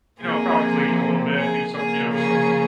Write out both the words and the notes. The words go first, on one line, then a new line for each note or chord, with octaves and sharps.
you know, probably clean a little bit, do some you know, some
C3 F3 A#3 G#4
G#4
C#3 F3 A#3 G#4
G#4